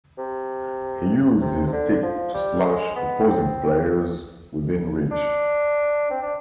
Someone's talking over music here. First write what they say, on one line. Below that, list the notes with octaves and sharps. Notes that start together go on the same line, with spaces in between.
He used his stick to slash opposing players within reach.
C3
C3
C3
D3
F3
G3
G#3
B3
C4
D4
C4
D4